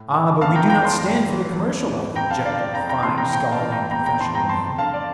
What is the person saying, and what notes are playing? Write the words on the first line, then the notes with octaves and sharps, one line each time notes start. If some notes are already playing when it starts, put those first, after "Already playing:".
"Ah, but we do not stand for the commercial life," object the refined, scholarly, and professional men.
Already playing: A2
E3
E2 F5 A5
G5 A#5
E3 G5 A#5
A5 C6
G2
E3
E2
E3
F2 G5 A#5
F5 A5
D3 D5 F5
D5
F2 G5 A#5
G5 A#5
C3 E3 A5 C6
G5 A#5
A2 G5 A#5
F5 A5
E3
G5 A#5
E2 G5 A#5
G5 A#5
E3 A5 C6
G5 A#5
F2 A5 C6
D3 F5 A5
D5